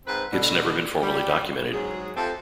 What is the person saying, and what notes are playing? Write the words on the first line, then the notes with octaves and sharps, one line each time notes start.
It's never been formally documented.
G#2 C4 B4
B2 D3
G3
G#2 F#3 G#4
F2 F3 A3 C4 G4 A4